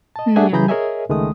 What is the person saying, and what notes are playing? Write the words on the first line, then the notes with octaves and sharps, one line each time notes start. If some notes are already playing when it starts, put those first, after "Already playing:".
Yeah, me
D#5 A5
A3 D4 G#4 E5 F#5 G#5
C#3 E3 G#4 A#5 B5 G6
G#4 A#4 C#5 D#5 E5 G#5
C#2 D#3 G#3 A3 D#6